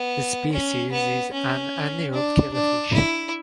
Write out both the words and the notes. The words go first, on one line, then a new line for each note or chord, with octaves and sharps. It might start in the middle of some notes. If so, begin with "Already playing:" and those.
The species is an annual killifish.
Already playing: B3
C#4
B3
C#4
D4
D4
E4